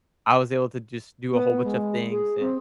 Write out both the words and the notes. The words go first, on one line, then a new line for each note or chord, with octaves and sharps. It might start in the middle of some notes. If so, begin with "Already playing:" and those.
I was able to just do a whole bunch of things, and
B3
G#3
G#4
C4